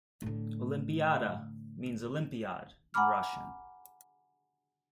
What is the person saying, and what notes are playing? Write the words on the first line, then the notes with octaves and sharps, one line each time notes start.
"Olympiada" means olympiad in Russian.
A2 D3
F#5 G#5 A#5 B5 D6 F6